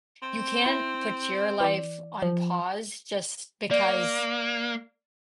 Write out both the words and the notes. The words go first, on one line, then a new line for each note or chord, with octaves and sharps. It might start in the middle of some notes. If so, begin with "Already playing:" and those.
you can't put your life on pause just because,
C4
E4
E3 D5
F3
A#3 D5